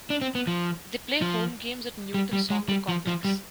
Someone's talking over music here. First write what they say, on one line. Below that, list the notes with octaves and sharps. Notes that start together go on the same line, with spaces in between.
They play home games at Newton Soccer Complex.
D4
C4
B3
F3
F3
G3
G3
G#3
G3
F3
F3
G3